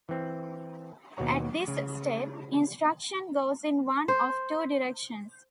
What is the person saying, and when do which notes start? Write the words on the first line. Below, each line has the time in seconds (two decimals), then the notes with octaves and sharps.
At this step, instruction goes in one of two directions.
0.09 E3 C4
1.17 D#2 B2 F#4 C#5 A#5
1.68 C#3
4.08 C5